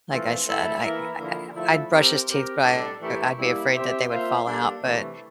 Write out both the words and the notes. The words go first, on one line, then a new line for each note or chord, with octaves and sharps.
like I said, I I I I'd brush his teeth but I I'd be afraid that they would fall out, but
E3 A3 C4 F4
A3 E4 A4
E3 A#3 E4 A#4 E5
D3 F3 A#3 E4
F3 A3 E4 A4 E5
C4 G4 A#4
C4 G4 A#4
A2 G3 D4 A4
E3 A3 E4 G4 A#4
G3 A#3 E4
C4 G4 C5 E5
A#3 F4 C5 E5
G3 A#3 D4 A4
C3 E3 A3